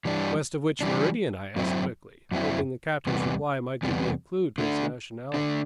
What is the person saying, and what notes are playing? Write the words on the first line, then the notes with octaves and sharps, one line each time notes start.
"West of which meridian?" I asked quickly, hoping the captain's reply might give me a clue to his nationality.
E3 G3 D4
E3 G3 D4
F#2 F#3 C4 E4
F#2 F#3 C4 E4
E2 C3 G3 B3
E2 C3 G3 B3
D3 A3 D4
D3 A3 D4